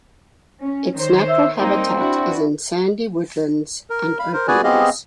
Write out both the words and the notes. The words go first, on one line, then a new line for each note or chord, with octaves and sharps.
Its natural habitat is in sandy woodlands and openings.
C#4
D#3 C5 C#5
E5
G3 A#3 C4 D#4
D4 E4 F#4
A#4
F5 B5
A#4 C5
F#4 G#4 B4 D5 G#5
B3 C4 G4 G#4 D#5 F5